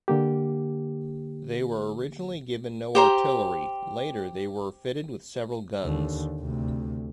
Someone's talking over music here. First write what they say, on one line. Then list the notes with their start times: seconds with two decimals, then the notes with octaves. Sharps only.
They were originally given no artillery, later they were fitted with several guns.
0.08 D3 A#3 G4
2.95 G4 C5 A#5
5.81 D#2 D3
6.41 D2 C3